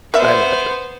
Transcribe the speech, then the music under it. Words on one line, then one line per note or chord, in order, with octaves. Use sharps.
I imagine,
B3 A#4 C5 D5 E5